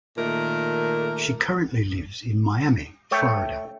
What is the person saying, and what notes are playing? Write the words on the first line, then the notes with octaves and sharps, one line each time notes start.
She currently lives in Miami, Florida.
A#2 D#3 A3 A#4
A3 C#5 G5